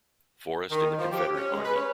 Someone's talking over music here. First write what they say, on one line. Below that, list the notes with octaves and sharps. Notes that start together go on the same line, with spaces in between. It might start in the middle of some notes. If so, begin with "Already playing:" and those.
Forrest in the Confederate Army.
D#3
D#3
F3
G4
C#4
G#3
B4
C#4